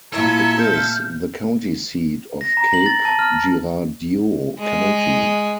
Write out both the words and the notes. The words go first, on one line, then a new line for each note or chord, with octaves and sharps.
It is the county seat of Cape Girardeau County.
A#2 E4 A4 E5 A#5 G#6
F6 G6
A#6
A#5
F#7
A6
A5
F6
G#3